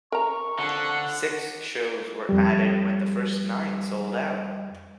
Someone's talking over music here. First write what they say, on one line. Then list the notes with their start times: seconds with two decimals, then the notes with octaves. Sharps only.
Six shows were added when the first nine sold out.
0.12 A#4 A#5 C#6
0.59 D3 F3 F#5
2.29 F2 G3